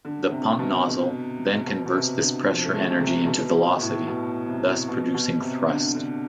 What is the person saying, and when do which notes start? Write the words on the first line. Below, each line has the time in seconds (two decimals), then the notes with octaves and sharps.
The pump nozzle then converts this pressure energy into velocity, thus producing thrust.
0.05 D3
0.32 C3
0.59 B2
1.66 B2
1.86 B2
1.92 C3
2.19 D3
2.47 F3
2.65 A3
2.73 G#3
3.00 C3
3.26 B2
3.81 A2
4.07 B2
4.48 C3
4.88 B2
5.14 B2
5.41 C3
5.68 D3
5.95 D3